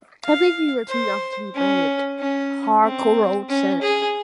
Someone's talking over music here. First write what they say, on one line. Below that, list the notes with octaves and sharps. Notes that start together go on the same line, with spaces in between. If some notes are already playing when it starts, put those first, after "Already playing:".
"I think we were too young to be married," Harkleroad said.
F5
C5
C#4
C#4
C4
C#4
G#4